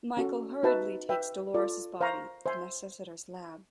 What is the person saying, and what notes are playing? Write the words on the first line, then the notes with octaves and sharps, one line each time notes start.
Michael hurriedly takes Dolores's body to Necessiter's lab.
C#4 F#4 A4
D#4 F#4 B4 E5 A5
B4 E5 G5
F4 A4 D5
C5 F5 A#5 C#6
C5 E5 G#5 C6